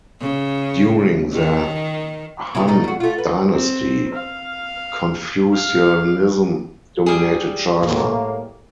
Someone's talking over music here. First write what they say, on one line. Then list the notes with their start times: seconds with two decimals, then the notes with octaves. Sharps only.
During the Han dynasty Confucianism dominated China.
0.21 C#3
1.33 D#3
2.55 C#3 E4
2.67 B2 A3 D#4
2.84 F2 F#4
3.00 A3 F4
3.18 B4
3.51 C4
4.14 F5
5.54 F5
7.06 G3 G#4
7.83 A2 A#3